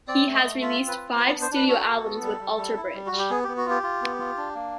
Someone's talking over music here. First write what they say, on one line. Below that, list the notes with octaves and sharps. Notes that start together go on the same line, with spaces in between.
He has released five studio albums with Alter Bridge.
C4 D5
A3
D#5
A3
F4 E5
C4
B4
F4
B3 C5
D5
D4
C5
D4 B4
F#4 A4
F#4
B3
G3
G3
G3
E4
G3
F#4
G3
G4
B3 G#4
B3 G4
F#4
F4 G4
F4
B3
F4
D4
A#3